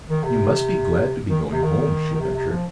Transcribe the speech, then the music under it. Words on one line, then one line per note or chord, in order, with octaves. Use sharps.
"You must be glad to be going home," she ventured.
D#3
C3
D#3
C3
D#3
D#3
C3
C3
F3